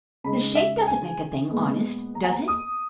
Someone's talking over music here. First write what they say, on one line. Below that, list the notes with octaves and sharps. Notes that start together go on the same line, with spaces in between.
"The shape doesn't make a thing honest, does it?"
C#3 G#3 D#4 B5
E5
G5
G#5
A#2 G#3 B3
A#5
G#5
A#5
D#6